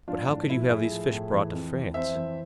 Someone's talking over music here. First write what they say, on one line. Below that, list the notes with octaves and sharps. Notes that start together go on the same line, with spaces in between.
"But how could you have these fish brought to France?"
F3 D4 F4
A2 D4
F3 E4
A2 E4 G#4
F3
A2
E3
F2
E3
F2 C5 E5
E3